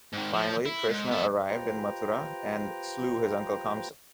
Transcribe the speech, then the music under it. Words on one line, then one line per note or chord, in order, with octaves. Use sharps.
Finally, Krishna arrived in Mathura and slew his uncle Kamsa.
G#2 D#3
F3
E4
G#2
B3 A4
F4 G4 B4 C5 G5 A#5